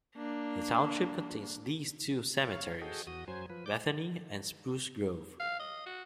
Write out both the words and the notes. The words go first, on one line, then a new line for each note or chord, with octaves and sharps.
The township contains these two cemeteries: Bethany and Spruce Grove.
A#3 D4
C#5 F5
F#4 G#4 A4 D#5 G5
E2 F#4 D#6
F#2 F#3 C5 G#5
F3 B4
D5 D6 G6
F5
D#5
F#4